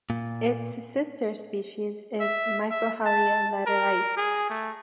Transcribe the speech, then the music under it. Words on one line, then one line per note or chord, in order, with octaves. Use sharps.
Its sister species is "Microhyla laterite".
A#2
E5
E5
A5
A#4
G#4
A3